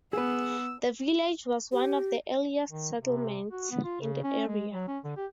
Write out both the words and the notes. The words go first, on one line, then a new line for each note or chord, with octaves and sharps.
The village was one of the earliest settlements in the area.
B3 G#4 B4 E6
G4
D#3
C3
F#4
B3
F4
C#3
C#4
G#3
F#3
C#4
D3
G4